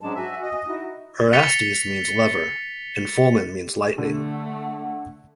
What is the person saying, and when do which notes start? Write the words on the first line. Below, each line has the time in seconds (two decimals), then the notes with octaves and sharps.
Erastes means "lover" and Fulmen means "lightning".
0.01 G#2 F#3 G#3 C#4 D4 A5
0.15 F#4 E5 G#5
0.43 D#5
0.67 D#4 E4 F#4
1.33 A6 B6 C#7 F7 G7
3.60 G4
3.98 D3 A3
4.31 F#5